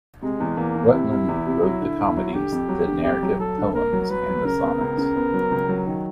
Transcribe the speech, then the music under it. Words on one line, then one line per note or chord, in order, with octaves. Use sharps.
Rutland wrote the comedies, the narrative poems and the sonnets.
C3 G#3
E2
E2 A#3
E2
C3 E4
C3
E2
C3
F#3
D3
D3
F#3
D3 G4
F2
F#3
D3
F2 G4
F#3
F#3 A4
D3
A#3 A#4
F#3
F#3 B4
F#3
C#3 A#4
B3
C#2
C#3
B3
F#3
C#2
F#3
D#3